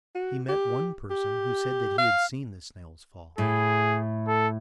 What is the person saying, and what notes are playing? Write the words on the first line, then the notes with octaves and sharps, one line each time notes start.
He met one person who said that he had seen the snails fall.
F#4
G4
G4
F5
A2 G#4
A4